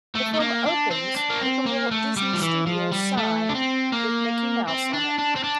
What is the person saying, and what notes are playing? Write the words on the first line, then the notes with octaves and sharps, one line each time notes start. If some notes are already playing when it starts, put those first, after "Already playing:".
The film opens with the Walt Disney Studios sign with Mickey Mouse on it.
A3
A3
A#3
D4
C4
D4
A#3
C4
A#3
A3
G3
F3
E3
F3
G3
A3
D4
C4
A#3
C4
D4
D4
C4
D4